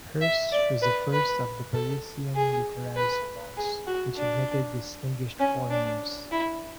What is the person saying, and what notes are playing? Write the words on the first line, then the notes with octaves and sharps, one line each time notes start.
Hers was the first of the Parisian literary salons which admitted distinguished foreigners.
E5
D5
B4
B4
A4
G#4
B4
G#4
F#4
D4
C#4
D4
E4